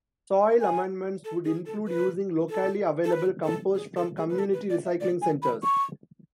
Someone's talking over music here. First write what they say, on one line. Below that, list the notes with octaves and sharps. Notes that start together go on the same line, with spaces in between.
Soil amendments would include using locally available compost from community recycling centers.
G#5
A4
G#4
A4
B4
A4
A4
B4
A4
G#4
A4
G#4
B4
A4
B4
D5
E5
D5
G#5
B5
C#6